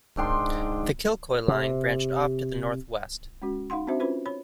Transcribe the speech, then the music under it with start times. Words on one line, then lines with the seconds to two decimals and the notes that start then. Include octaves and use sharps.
The Kilcoy line branched off to the north-west.
0.17 G#2 D4 G5 C6
1.48 C3
3.42 G#3 C#4 F#4
3.70 D#4 F5 F#5 C6
3.87 C4 D4 F#4 C5 E5
4.00 C#4 F4 B4 C5 B5
4.26 C#5 B5